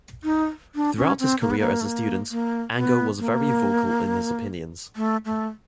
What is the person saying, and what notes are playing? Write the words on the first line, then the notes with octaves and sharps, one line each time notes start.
Throughout his career as a student, Ango was very vocal in his opinions.
D#4
D4
C#4
C4
A#3
B3
A#3
A3
A#3
A#3
B3
A#3
A3
A3